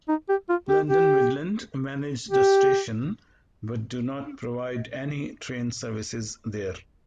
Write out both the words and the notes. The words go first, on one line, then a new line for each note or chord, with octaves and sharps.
London Midland manage the station but do not provide any train services there.
D#4
G4
F4
G4
G4
G4